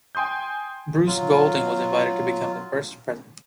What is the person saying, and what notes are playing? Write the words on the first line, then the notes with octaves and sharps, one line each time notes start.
Bruce Golding was invited to become the first President.
G5 G#5 C6 D#6 G6
F#3 F4